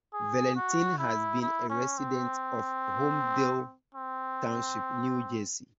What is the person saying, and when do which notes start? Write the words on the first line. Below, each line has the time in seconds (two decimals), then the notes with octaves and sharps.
Valentin has been a resident of Holmdel Township, New Jersey.
0.13 G#4
0.56 F#4
0.99 E4
1.41 E4
1.70 C#4
1.98 C4
3.94 C4